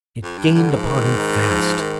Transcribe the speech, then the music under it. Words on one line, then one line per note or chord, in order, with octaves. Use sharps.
It gained upon him fast.
F2
G2
G2 D3
G#2
F3
D#3
D#3
F3
D#3